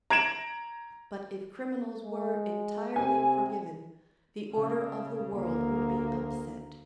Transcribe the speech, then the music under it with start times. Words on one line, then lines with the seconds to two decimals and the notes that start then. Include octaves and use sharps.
But if criminals were entirely forgiven, the order of the world would be upset.
0.10 A#5 G#6 D7 E7 F#7
2.05 G#3
2.96 C3 G#5
4.54 C#3
5.32 D2 A#3